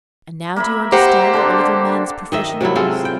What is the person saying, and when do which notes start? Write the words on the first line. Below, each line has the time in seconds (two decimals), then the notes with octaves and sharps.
And now do you understand what the Little Man's profession was?
0.56 A#3 E5 B5
0.92 G4 C5 F#5 A#5
1.33 D3 D4 C6
2.32 D#3 D#5 E5
2.61 C3 F#3 G3 E4
2.75 G#3 C4 F4 A4
3.05 G5